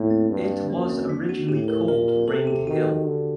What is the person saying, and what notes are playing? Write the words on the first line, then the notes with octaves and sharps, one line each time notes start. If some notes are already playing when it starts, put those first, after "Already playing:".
It was originally called Ring Hill.
Already playing: A2 A#3
C4
G2
F#2 A#3
C4
D4
F#4
A2 G4
A#4
A#2 A#4
A#4
C3 A4
G4
D#3 F#4
D3